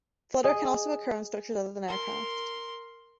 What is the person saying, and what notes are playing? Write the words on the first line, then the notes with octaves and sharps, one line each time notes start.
Flutter can also occur on structures other than aircraft.
G#4 D#5
A#4 C6